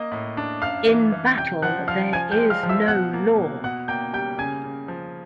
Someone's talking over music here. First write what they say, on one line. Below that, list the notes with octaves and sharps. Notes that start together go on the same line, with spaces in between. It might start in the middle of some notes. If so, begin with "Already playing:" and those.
In Battle There Is No Law!
Already playing: A#3 D#5 D#6
A2
D4
F#2 F5 F6
E3
E3
C3 G5 G6
F3 F#5 F#6
F3 F5 F6
F3 G#5 G#6
G5 G6
G#3
F5 F6
F3
E5 E6
B2 F#5 F#6
A#3
B2
B2 F#5 F#6
A#3 G5 G6
G3 G5 G6
C#3 G#5 G#6
C#3
F3